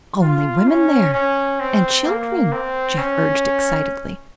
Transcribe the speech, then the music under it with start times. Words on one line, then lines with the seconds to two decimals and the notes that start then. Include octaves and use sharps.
"Only women there--and children," Jeff urged excitedly.
0.22 F4
0.68 C#4
1.14 C#4
1.60 C4
2.06 A#3
2.53 C4
2.98 C#4